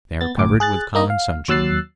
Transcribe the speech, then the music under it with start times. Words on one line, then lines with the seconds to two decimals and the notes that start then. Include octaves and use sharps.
They are covered with common sunshine.
0.21 B3 A6
0.37 A1 D2 A2 D6
0.60 G#4 F#6 A6
0.95 A#3 D#4 D#5
1.10 F5
1.48 D#2 F#3 E6 F#6 A6 C7